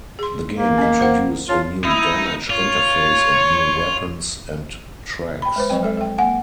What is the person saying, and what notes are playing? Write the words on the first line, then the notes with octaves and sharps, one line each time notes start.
The game introduced a new damage interface and new weapons and tracks.
G#4 C6
A#3
C#4 D#5
A#4 C5 F#5
F4 C#5 A5
D#4 E4
F4 C#5
G5 B5
G#3 B4 C5
F3 F#3 C4 G5
G#3 A4 E5
A4 G5
A#3 F#5 G#5